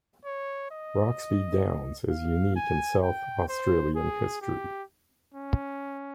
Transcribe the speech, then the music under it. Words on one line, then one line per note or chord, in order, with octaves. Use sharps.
Roxby Downs is unique in South Australian history.
C#5
D#5
F5
G#5
G5
C5
G#4
G4
C#4